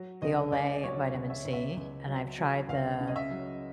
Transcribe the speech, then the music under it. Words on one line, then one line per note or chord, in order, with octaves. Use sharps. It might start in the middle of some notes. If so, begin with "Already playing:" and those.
the Olay Vitamin C, and I've tried the,
Already playing: F#3
C#2 D#5
C#2 D5
F#3 C#5
C#2
E5
C#2
E5
C#2
F#3
F#3
C#2 F5
C#3
D#5
E5
F#3